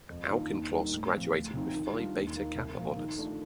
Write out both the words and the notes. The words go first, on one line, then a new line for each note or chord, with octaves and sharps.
Auchincloss graduated with Phi Beta Kappa honors.
F2
D#3 A#3 D4 F4
D#2
D#3 G3
A2
F3 C4
D2
C3 F3 C4 D#4
D#3
G3 D4 F4
D#2
D#3 A#3
C2
A#2 F3 A#3
D#3
A3 D4 F4